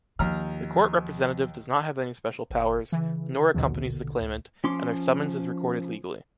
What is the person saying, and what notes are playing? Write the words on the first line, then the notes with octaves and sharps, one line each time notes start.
The court representative does not have any special powers, nor accompanies the claimant, and their summons is recorded legally.
D#2 F3 A#5 F6
G1
C#3 E3
A#1 D#2 B2 D3
C#2
F3 C#4 C6 D6